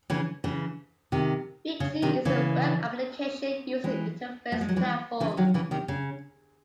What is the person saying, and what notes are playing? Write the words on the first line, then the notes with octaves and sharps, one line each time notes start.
Vexi is a web application user interface platform.
C#3 E3
C#3 E3
C3 D#3
C#3
C3 D#3
C#3 E3
E3 G#3
A3
G#3
F#3
E3 G#3
C#3 E3
D#3 F#3
C#3 E3
C3 D#3
C#3